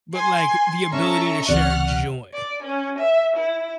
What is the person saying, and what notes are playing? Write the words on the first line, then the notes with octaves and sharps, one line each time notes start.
but like, the ability to share joy.
G#5 C6
C#4 A4 E5 A#5 C#6
C#2 E3 C4 D5 F#5 F6 F#6
D5
C#4
E5
E4